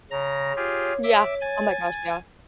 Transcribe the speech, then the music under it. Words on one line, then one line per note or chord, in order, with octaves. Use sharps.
Yeah. Oh my gosh, yeah.
C#3 C#5 A#5 A#6
F4 G4 G#4
E5 D6
G#5 A6